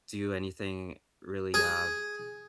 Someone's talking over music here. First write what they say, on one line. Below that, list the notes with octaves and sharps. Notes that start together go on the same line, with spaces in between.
do anything really, uh,
G#4